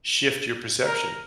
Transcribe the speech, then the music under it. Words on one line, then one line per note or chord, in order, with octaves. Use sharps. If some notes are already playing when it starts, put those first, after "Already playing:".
shift your perception.
A#4